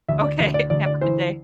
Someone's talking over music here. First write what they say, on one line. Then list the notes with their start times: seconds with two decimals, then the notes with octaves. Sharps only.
Okay. Have a good day.
0.09 D2 E5
0.24 D5
0.40 D2 E5
0.54 D5
0.70 D2 D5
0.86 D5
1.01 E3 C5